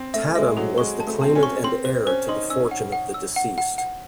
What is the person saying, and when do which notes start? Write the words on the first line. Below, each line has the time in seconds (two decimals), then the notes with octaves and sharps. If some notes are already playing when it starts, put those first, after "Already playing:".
Tatham was the claimant and heir to the fortune of the deceased.
Already playing: C4
0.14 A3 E5
0.35 G#3 E5
0.57 F#3 A4
0.78 G#3 C#6
1.00 A5
1.07 A3
1.21 C4 A5
1.35 C#4
1.43 C#6
1.64 C4 C6
1.85 C5
2.07 C#4 C5
2.28 D#4 C6
2.50 C#4 E6
2.71 F#5
2.92 F#5
3.14 E6
3.36 F#5
3.58 F#5
3.78 F#5